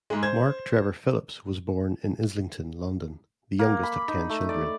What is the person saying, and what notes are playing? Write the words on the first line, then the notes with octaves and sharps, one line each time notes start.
Mark Trevor Phillips was born in Islington, London, the youngest of ten children.
G#2 G#3
C5 G#6
A#3
B5
D#4
A3
D5